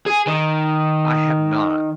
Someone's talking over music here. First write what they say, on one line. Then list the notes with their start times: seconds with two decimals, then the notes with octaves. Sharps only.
I have not.
0.06 G#4
0.27 D#3